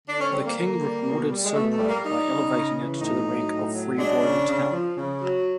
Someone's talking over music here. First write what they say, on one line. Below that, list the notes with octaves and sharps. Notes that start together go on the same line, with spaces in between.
The king rewarded Sopron by elevating it to the rank of free royal town.
D3 D4
C#4
G3 C4
A#3
D3 A#3
G3
B2
G3
G#3
B2 A3
A3
G3
A#3
G3 D#4
C#3
C#3
E3
A2 D#4
F#3
A2
F#3
G#3 D4
C#3
C#3
F3
C#3
F#3